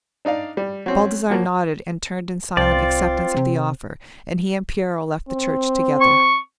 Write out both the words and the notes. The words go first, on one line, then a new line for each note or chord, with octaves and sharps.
Baldassarre nodded, and turned in silent acceptance of the offer, and he and Piero left the church together.
D4 D#4 D5 F5
G3
F#3 C4 C#4
F3 F#3 A#3
C2 C4 F4 D5
C3
C4
C#6